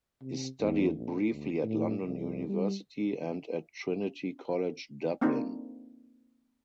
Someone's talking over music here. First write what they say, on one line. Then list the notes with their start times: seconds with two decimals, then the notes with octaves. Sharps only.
He studied briefly at London University and at Trinity College Dublin.
0.22 C3
0.60 E2
0.97 A#1
1.31 D2
1.63 A2
2.02 C2
2.49 G3
5.21 A#3 C4 D4 D#4 F4 A4